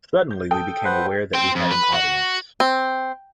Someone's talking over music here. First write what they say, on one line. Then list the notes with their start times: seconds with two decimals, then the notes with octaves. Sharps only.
Suddenly we became aware that we had an audience.
0.31 G6
0.51 A4 G5 D#6
0.85 B4 C5 F#5
1.35 C5 G5
1.56 F2
1.72 B4
1.94 F#4
2.60 C4